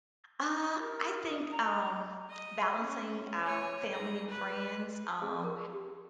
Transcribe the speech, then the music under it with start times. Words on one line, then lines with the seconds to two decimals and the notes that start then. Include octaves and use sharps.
Uh, I think, um, balancing, uh, family and friends, um,
0.79 G4 A#4
1.25 D#6
1.51 A#5
1.63 D#5
2.30 D#5
2.81 C#4
3.45 C#5 G#5
3.93 G#4 A#5
4.28 B4
5.22 G#4
5.44 A#4
5.73 G4